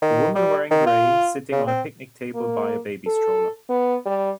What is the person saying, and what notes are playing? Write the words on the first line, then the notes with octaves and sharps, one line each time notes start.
A woman wearing gray, sitting on a picnic table by a baby stroller.
D#3
G3
D#3
F4
C#3
C4
A#3
A4
B3
G3